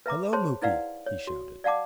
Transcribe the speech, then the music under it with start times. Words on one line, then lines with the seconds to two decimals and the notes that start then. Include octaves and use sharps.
"Hello, Muky!" he shouted.
0.06 B4 E5 A#5 D6
0.33 G#4 C5 C#5 A5 C6
0.62 D#4 E4 B4 D5 F5 F#5
1.06 C#5
1.27 F#4
1.64 D5 F5 F#5 A5 D6